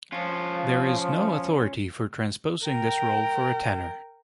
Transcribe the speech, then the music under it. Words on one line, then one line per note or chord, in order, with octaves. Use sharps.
There is no authority for transposing this role for a tenor.
F3 C#4 F4
A#4 G5